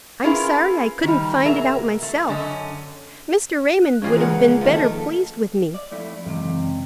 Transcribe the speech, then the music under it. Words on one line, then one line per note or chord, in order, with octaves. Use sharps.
"I'm sorry I couldn't find it out myself; Mr. Raymond would have been better pleased with me."
C#4 E4 F4 G#4 A#4 B4
D#3 G3
B2 G#4 A#4 E5 G#5 A#5
A3
F#2 D3 C#4 D#5
F#6
E3 F3 G3 C#4 F4 G#4
C#2 A#4 F#5
A#3
D#3 F3 A#3
A3
D5
F2 A3 E4
C#2 F#2 C3 E3